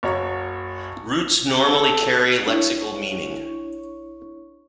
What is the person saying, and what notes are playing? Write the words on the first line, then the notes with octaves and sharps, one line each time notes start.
Roots normally carry lexical meaning.
F#1 F#4 C#5 A#5 C#6
A4
D4 E4 C#5 C#6